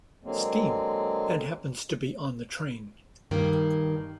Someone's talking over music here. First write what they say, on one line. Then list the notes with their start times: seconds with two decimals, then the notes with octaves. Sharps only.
Steam, and happens to be on the train.
0.24 D3 F#3 G#3 A#3 C4
3.31 G2 D#3 A#3